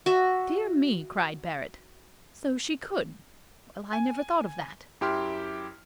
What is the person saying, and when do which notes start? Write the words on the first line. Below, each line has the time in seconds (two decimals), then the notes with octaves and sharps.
"Dear me," cried Barrett, "so she could; well, I never thought of that."
0.06 F#4 E5
3.93 G#5
5.01 F#2 E4 G4 G5 C6 F6